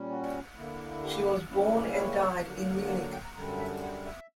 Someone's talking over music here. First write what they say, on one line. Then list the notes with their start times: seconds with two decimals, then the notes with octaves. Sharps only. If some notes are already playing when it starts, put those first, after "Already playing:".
She was born and died in Munich.
Already playing: A#2 G3 C#4
0.11 F#4
0.57 D3 A#3 E4
1.04 G4
1.51 C#3 G3 A#3 C#4 E4
1.97 C#5
2.43 D3 F#3 A#3
2.89 F#5
3.01 A#5
3.13 G5
3.24 A#5
3.35 F#2 D3 G3 A#5
3.59 E5
3.82 F#5
4.06 E5